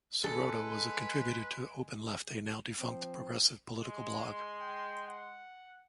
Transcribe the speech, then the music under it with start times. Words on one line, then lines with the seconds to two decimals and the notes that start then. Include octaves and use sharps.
Sirota was a contributor to OpenLeft, a now-defunct progressive political blog.
0.24 G#3 G#4 A4 B4
2.79 F3 C4
3.82 G#3 C6
4.61 G5
5.07 F#5